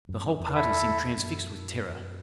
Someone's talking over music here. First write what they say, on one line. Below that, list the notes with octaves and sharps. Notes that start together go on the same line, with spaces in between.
The whole party seemed transfixed with terror.
F#2
F#2
E2
E4 A4 E5
F#2